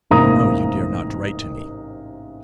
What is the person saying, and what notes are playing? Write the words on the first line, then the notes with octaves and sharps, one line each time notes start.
You know you dare not write to me.
A1 G#2 C3 A#3 A#5 D#6